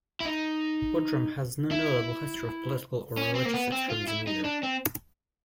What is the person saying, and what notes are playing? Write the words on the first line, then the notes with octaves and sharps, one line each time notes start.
Bodrum has no notable history of political or religious extremism either.
E4
D#4
E4
C#4
C4
A#3
B3
C4
F4
E4
D#4
D4
C4